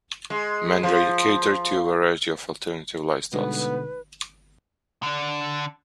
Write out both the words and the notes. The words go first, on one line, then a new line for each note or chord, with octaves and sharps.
Manray catered to a variety of alternative lifestyles.
G#3
F3
B2 D3 G3 G#3 B3 D#4 B4
D3 D4